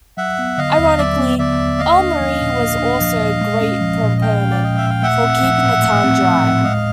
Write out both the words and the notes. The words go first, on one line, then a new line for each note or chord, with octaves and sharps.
Ironically, ElMarie was also a great proponent for keeping the town dry.
F#3 E5 F#5
B3
D3 D#5 F5
D#2
F#3 D5 E5
B3
D3 D5 E5
D#2
A#3 D#5 F5
D4
F3
A#2
A#3
D4
F3
A#2
G#3
C#4
F3
A#2
G#3 F5 G5
C#4
D5
F3 D#5
E5
A#2
F5
A3 E5 F#5
C4
F3
A2
A3
C4
F3
A2
G#3 D#5 F5